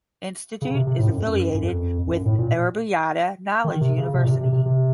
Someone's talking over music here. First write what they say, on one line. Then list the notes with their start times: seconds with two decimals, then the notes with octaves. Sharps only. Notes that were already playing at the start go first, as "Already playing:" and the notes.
Institute is affiliated with Aryabhatta Knowledge University.
0.62 C#3
0.75 C3
0.87 C3
0.99 A2
1.08 F#2
1.17 F2
1.25 F#2
1.54 F#2
1.63 F2
2.08 F2
2.13 F#2
2.26 A2
2.38 A#2
3.64 D#3
3.81 C3
3.97 C#3
4.14 C3
4.23 A#2
4.27 C3
4.41 C3
4.52 C3
4.66 C3